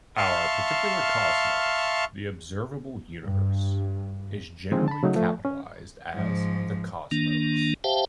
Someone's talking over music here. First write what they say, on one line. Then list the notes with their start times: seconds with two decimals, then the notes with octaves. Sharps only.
Our particular cosmos, the observable universe, is generally capitalized as "the Cosmos".
0.17 E5 F5 A5 C6 C#6 F6
3.23 G2
4.72 D3 D#3 F3 G#3 C4 D#4
4.88 A5 B5
5.03 C#3 F#3 A3 D#4
5.15 F3 A3
5.45 C#4
6.13 G#2 F3
7.11 D#3 A#3 D4
7.84 G4 C5 E5 F5 G5 A5